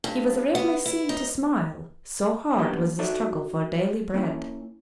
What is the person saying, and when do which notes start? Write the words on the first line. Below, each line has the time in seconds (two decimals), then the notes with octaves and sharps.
He was rarely seen to smile, so hard was the struggle for daily bread.
0.04 G2
0.55 B3
0.86 E4
1.09 D#4
2.58 F#3 A#3 B3 D4 D#4 G4
2.99 D#4 F#4 A4 D5 E5
4.14 A#3 C#4 E4